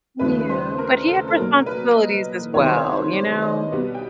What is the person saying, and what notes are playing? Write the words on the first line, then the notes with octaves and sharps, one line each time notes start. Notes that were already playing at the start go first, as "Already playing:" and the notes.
Yeah, but he had responsibilities as well, you know?
D#2 C#3 F3 A3 D4 B4
B4
C5
A#4
A4
A4
B2 F#3 A#3 D4 A#4
B4
D#5
C2 C3 D#3 F#3 B3 C#5
C5
C#5
D5
D#5
B2 G3 B3 D4
G5